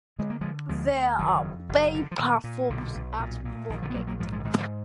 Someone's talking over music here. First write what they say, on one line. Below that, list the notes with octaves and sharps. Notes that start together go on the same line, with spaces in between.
There are bay platforms at Moorgate.
D3 G#3
A#3
D3 F3 G#3
D2 F3 G#3
D2
F#1 D#3 F#3
F2
F#1
D3
F3
A#2 D#3
A#2
B1 D3
B1
A#2
A#2
A#1 D#3
D3 F3
B3
A#1 F#3 A#3
F#3 A#3
G#2 F3 G#3
F#3
F3 G#3
D3
G#2 D#3
D3 F3